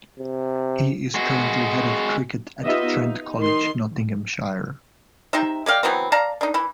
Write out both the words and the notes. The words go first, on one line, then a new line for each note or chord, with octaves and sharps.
He is currently Head of Cricket at Trent College, Nottinghamshire.
C3
G#3 F#4
B3 D#4 F4 G4 D#5 E5
D#4
D#3 D#4 C6
C3 C4 D#4 E5
G#3 D5 F5 G5
E3 F#3 B3 C4
D5 F5 A5 A#5
D4 D#4
E3 E4